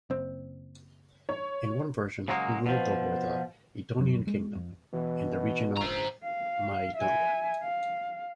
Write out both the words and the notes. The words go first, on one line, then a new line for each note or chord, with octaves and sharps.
In one version, he ruled over the Edonian kingdom in the region of Mygdonia.
F#1 C4
C#5
C#3 F#3 G#3 A#3
B2 F3
D#1 C2 F#2 F#3
G#3
F2
B2 E3
D1 G#1 C#2 C5 A#5
F5
E5 G#5
F5